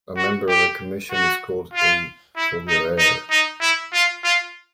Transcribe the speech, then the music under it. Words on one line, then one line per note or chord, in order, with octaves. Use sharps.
A member of a commission is called a "foguerer".
F#4
G4
F#4
F4
E4
D#4
D#4
D#4
E4
F4
F4